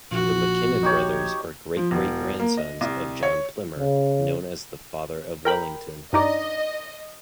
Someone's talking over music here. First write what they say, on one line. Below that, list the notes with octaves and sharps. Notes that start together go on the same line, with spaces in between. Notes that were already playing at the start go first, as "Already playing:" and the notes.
The McKinnon brothers are great-great-grandsons of John Plimmer, known as the "father of Wellington".
A#1 F#4
D#4 G4 C#5
F3
E1
A#3
D#5
C2
C#5
C#3
A#4 G5 B5
G2 D#4 D5 D#5